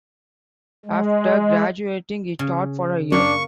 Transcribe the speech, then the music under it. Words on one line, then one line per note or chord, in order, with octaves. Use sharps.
After graduating, he taught for a year.
G#3
C#3
F#2 A#3 D4 C#6